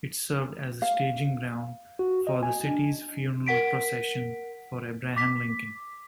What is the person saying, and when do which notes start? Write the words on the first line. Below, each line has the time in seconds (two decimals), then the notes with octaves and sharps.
It served as the staging ground for the city's funeral procession for Abraham Lincoln.
0.82 F5
1.99 F#4
2.27 D#5
2.43 G#5
2.65 D4
3.47 A#4 F#5 B6 D7
5.16 D6 B6